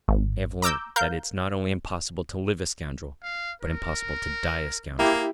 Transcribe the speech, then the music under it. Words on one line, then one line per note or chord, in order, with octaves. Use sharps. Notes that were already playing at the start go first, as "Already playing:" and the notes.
I have learnt that it's not only impossible to live a scoundrel, but impossible to die a scoundrel....
G#1
A#5 D6 E6 G6
A#4 F5 G6
F5
A#4
A#3 E4 G4 G#4